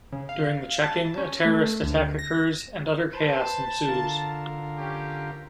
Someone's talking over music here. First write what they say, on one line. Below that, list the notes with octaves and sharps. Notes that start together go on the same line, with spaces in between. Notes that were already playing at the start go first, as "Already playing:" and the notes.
During the checking, a terrorist attack occurs and utter chaos ensues.
C#3
F5
A5
C#4
A3
D2
A#6
B4 C5 A5
D3 F4 A#4
C#4 G4